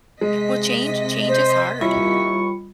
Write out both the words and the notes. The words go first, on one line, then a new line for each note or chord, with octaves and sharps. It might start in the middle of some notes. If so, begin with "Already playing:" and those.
Well, change change is hard.
C3 G#3 D#5 B6
C5
D#2 G3 E4 F4 B5 C#6